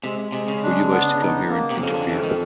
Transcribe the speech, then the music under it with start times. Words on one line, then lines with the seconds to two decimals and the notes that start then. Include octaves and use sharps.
Were you wise to come here and interfere?
0.04 C3 G#3
0.32 C3 G#3
0.48 C#3
0.63 D4
0.91 B3
1.21 D#4
1.50 A#3
1.70 C3
1.80 F2 C#3
1.94 D3
2.09 F2 E3
2.23 D#3